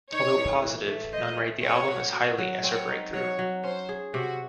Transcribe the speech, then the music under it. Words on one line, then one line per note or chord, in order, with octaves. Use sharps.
Although positive, none rate the album as highly as her breakthrough.
D#4 C#5
A2
E3
A3
C5 D#5
A3
C4 C#5
F#4
F#4
F#3
C4 C#5
D#4
F#3 C#5
F#3
C#4 C5
G#4
C3 F#4